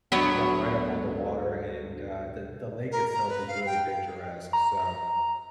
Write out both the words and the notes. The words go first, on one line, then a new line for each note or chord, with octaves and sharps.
are, like, right up on the water, and, uh, the the lake itself is really picturesque, so
D2 F#3 B3
A#4
A#5
B4
F5
G5
A#5